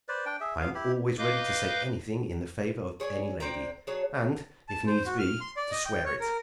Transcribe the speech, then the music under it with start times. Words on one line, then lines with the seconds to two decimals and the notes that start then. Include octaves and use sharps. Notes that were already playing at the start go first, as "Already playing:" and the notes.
I am always ready to say anything in the favor of any lady, and, if needs be, to swear it.
0.08 B4 C5 D5
0.26 D4 G5
0.40 G#4 E5
0.60 B3 F5
0.75 E4 G4
1.18 B4 D#5 F5 D6 G6
3.00 G#4 C#5 D5 G#5
3.40 D3 C4 G5 A#5
3.87 F#3 G#4 C#5 A5
4.69 A5
4.87 C5
5.06 F#4
5.19 F6
5.41 C6
5.57 D5
5.71 D#5
5.86 G5
6.05 C#5
6.20 A#4